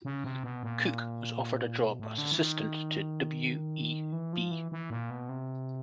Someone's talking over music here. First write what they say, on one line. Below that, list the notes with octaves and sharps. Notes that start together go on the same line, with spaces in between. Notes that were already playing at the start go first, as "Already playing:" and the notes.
Cooke was offered a job as assistant to W. E. B.
C#3
C3
B2
A#2
B2
A2
D3
E3
D#3
E3
F3
E3
E3
A#2
B2
C3